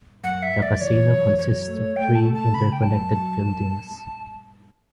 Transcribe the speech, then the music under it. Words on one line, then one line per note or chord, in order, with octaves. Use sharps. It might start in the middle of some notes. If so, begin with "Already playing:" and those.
The casino consists of three interconnected buildings.
F#2 F#5
E5
F#2
D5
E3 C#5
F#2
F#3 C#5
A3
A3 G5
A5
A3
A5
C#3 B5
G5
F#2 A5
F#3
F#2